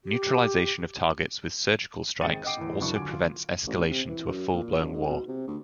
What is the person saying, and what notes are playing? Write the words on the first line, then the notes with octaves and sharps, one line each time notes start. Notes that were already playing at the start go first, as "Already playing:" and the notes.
Neutralization of targets with surgical strikes also prevents escalation to a full blown war.
G4
G#1 G#4 G5 A6 C#7 D#7
D#5 F#5 G5 D6 C7 D7
E2 A2
F#1 F#3 D4 E4 C#6
D3 F#3 F4 G#5 D6 D7
F4
A1
C3
E3
F#2
A#2
F#1
G#2
B2
C3
D2